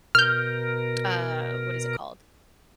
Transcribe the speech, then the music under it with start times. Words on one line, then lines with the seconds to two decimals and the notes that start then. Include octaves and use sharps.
a, what is it called?
0.15 B2 A#4 F6 G6